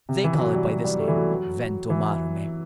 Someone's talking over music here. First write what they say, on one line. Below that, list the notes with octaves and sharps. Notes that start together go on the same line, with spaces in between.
They call it by this name--Ventomarme.
C3
E3
E3
F#3
G3
F#3
G3
A3
E3
F#3
E3